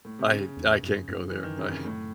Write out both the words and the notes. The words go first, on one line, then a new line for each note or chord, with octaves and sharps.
I I can't go there. I
A2
C3
C#3
E2
F#2
F#2
E3
D#3
C#3
C3
A2